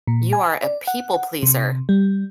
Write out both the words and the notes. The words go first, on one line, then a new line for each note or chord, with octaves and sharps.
You are a people pleaser.
A#2
G#5
D5
F#5
C3
G3